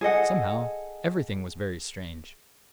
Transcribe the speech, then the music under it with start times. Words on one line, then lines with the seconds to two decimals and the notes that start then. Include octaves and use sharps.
Somehow--everything was very strange.
0.01 G#4 A4 D#5 F#5